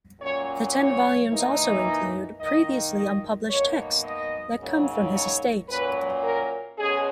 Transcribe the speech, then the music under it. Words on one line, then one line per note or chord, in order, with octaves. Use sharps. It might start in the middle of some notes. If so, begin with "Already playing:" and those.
The ten volumes also include previously unpublished texts that come from his estate.
A#2 F#3 C#4 C#5
C#5
E3 A#3 D#4
D#3 A#3 D#4 D#5
D#5
B2 A#3 D#4 C#5
D#5
C#3 F#3 A#3 D#4
C#5
A#2 F#3 C#4 B4
A#4
B2 G#3 C#4 G#4